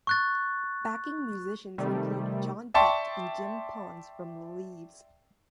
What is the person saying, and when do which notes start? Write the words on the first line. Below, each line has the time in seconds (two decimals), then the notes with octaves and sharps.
Backing musicians include John Beck and Jim Pons from the Leaves.
0.07 C#6 F#6 A6
1.78 C3 D#3 G3 A3
2.74 D5 E5 G5 A5 C6 C#6